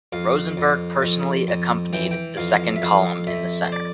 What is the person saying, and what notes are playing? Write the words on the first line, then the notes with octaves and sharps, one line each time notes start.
Rosenberg personally accompanied the Second Column in the center.
F2 F5
F2
F2
F2
E3 G5
G5
F2 F5
E5
F2 F5
F2 E5
C5
D5